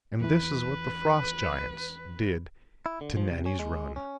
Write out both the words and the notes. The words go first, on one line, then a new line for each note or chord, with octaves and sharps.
And this is what the Frost Giants did to Nannie's Run.
E2 E3 B4
E4
D3
F3
C3
C#4
G#3
C#4